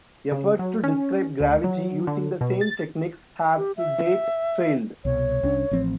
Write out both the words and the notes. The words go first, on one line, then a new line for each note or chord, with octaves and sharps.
Efforts to describe gravity using the same techniques have, to date, failed.
C#3
F#3
C#4
D2
F#3
D3
B2
A6
G4
E5
C2 B2 C#5
C2 C#4 D4
A1 F3 C4